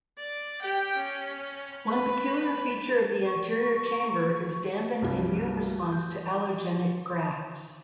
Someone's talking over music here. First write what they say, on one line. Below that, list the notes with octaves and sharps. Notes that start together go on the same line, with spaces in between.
One peculiar feature of the anterior chamber is dampened immune response to allogenic grafts.
D5
G4 G5
C#4
B4
C#6
C2 G2 F#3 G3
G6